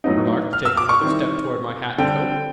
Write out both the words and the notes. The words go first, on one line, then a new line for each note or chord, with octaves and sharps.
I remarked, taking another step toward my hat and coat.
A2 F#3 B3 D#4
F6
E6
D6
C#6
D#3 G3 C4 E4
D3 G3 C4 G5